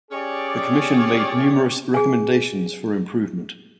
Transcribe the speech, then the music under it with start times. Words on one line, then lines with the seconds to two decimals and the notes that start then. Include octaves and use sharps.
The Commission made numerous recommendations for improvement.
0.11 C#4 G4 G#4 C#5 D5
1.94 G#4 G#5